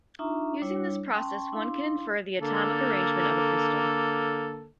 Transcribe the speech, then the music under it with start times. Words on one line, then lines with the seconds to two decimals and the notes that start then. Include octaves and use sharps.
Using this process, one can infer the atomic arrangement of a crystal.
0.19 D4 D#4 F4 E5 A#5 C#6
0.62 G3 D4 E4 C#5
1.14 C#4 G5 A5 C6 C#6
1.52 D4 E4 F5 C6
2.39 D3 A#3 A4